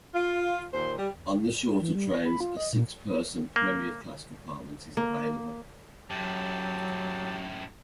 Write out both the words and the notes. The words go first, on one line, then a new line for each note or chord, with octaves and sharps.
On the shorter trains, a six-person Premier Class compartment is available.
F4
D#2 A#2 C5
G3
E3
G3
A#6
B5
F4
D#5
A#2
A#3
A#3
F#2 A2 F#3 G4 A5